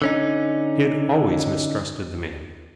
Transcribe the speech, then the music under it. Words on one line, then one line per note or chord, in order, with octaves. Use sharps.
She had always mistrusted the man.
D3 C#4 D#4